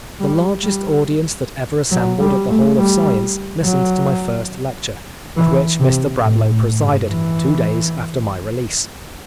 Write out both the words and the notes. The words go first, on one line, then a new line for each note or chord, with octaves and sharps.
The largest audience that ever assembled at the Hall of Science listened to my first lecture, at which Mr. Bradlaugh presided, two days after my release.
G3
G3
F#3
G3
A3
G3
F#3
E3
C3
A2
A2
G2
E3